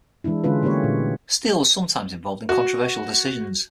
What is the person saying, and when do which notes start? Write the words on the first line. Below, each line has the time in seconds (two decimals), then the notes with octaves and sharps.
Steele was sometimes involved in controversial decisions.
0.24 E3 G#3 D4 E4
0.44 D3 G#3 C#4 F4 B4
0.62 G3 A3 A#3 C#4 G4 C#5
0.84 A#2
2.49 F#4